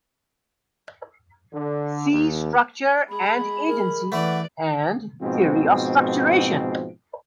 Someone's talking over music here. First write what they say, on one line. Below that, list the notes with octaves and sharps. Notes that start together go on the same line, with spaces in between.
See structure and agency and theory of structuration.
D3
D#2
G#3 G#4 B5
A#4
E3 A3 B4 D5 F#5
G#2 B2 F3 C4